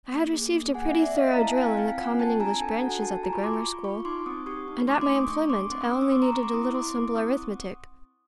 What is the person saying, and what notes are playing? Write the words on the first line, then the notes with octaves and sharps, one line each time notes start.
I had received a pretty thorough drill in the common English branches at the grammar school, and at my employment I only needed a little simple arithmetic.
A#3
G#4
A#3
G#4 F#5 G#5
E5 F#5
C4
D5 E5
C4 D#5 F5
A#5
E4 A5
G#5
C4 F5 G5
C4 F5 G5
F4 F#5 G#5
C4 G5 A5
D4 G#5 A#5
A4 G5 A5
F#4 F#5 G#5
F#4 G5 A5
F4 G#5 A#5
B5 C#6
G#4 C6 D6
B5 C#6
F4
F4 B5 C#6
D#4 C6 D6
C4 C#6 D#6
G4 C#6 D#6
D#4
A3 C6 D6
C6 D6
D4
C#6 D#6
A3 C#6 D#6
D4 C6 D6
C4 C6 D6
C#6 D#6
C4 D6 E6
C#6 D#6
C4 C6 D6
A#5 C6
C4 B5 C#6
C6 D6
E4 C#6 D#6
C4 C6 D6
E4 C6 D6
C4 C#6 D#6